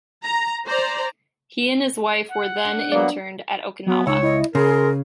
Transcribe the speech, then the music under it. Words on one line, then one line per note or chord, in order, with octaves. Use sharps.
He and his wife were then interned at Okinawa.
A#5
C5 D5 A#5
F#5
D4
F#3 A#3 B3 D5
F#3 B3
C#2 D#4 C#5 E6
E4 D#5
C#3 G#4 A#4 C6